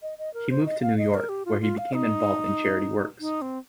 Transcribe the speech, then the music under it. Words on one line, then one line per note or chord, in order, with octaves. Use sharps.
He moved to New York, where he became involved in charity works.
D#5
D#5
A#4
C5
D#5
F5
D#5
A#4
G4
F4
F4
F5
D#4
D#4
C4